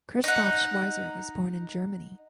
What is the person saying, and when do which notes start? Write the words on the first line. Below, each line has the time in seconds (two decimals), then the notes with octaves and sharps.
Christoph Schweizer was born in Germany.
0.24 D#4 F#5